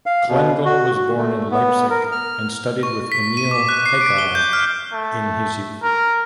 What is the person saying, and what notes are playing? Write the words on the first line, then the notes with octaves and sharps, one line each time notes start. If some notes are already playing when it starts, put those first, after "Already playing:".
Klengel was born in Leipzig, and studied with Emil Hegar in his youth.
F5
B2
F#4
F#4
A3
B3
A#4
F6
C#6
B6
D#7
D6
F#6
C7
D7
G7
G6
F6
A3
A#4